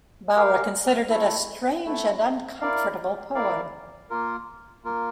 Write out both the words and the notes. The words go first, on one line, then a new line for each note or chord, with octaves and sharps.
Bowra considered it "a strange and uncomfortable poem".
G4 A#4 F5
A3 E4 A4
A3 E4 A4
E4 A#4 D5 F5
E4 A#4 D5 F5
A#3 F4 A#4
A#3 F4 A#4